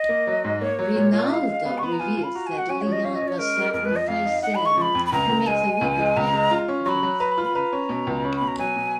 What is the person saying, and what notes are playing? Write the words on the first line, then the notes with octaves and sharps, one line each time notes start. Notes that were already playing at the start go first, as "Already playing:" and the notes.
Rinaldo reveals that Leon must sacrifice Sara to make the whip effective against Walter.
Already playing: D#5
A#3
F#3
G#2
A#3 C#5
F#3
A#2
F4
G#3 F5
G#3
B3
C#6
B3 B5
A#5
F4 G#5
F4
B5
F#4 A#5
G#5
F#4
F#5
C#4 G#5
C#5
F3
D#5
C#4 F5
D#5
C#4
C#5
G#3 A#4
G#3
F2 A#4
B4
F3
D#5
F2 F5
D#4
D#4 F#5
B5
G#3
C#6
F3 B5 C#6
F2
B5
C#2 A#5
C#2
G#3 G#5
G#3
C#2
G#3
C#2 A#5
G#3
F4
C#4
F#3 B5 C#6
F#3
B4 A#5
B5
F4
B5
B4 A#5
C#4
B2
C#2
C#4 B5
B2 B5
A#5
F#3 G#5
B2